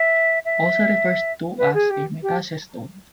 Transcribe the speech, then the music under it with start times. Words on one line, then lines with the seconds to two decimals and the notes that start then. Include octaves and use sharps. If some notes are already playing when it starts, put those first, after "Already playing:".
Also referred to as a metacestode.
Already playing: E5
0.45 E5
1.58 B4
1.74 G#4
1.90 G4
2.23 G4